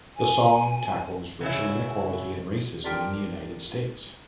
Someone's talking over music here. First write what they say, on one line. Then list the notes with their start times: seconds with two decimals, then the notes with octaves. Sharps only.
The song tackles racial inequality and racism in the United States.
0.16 G#5
1.41 C#3 F#3 E4
2.84 D4 F4 G4 A#4 G5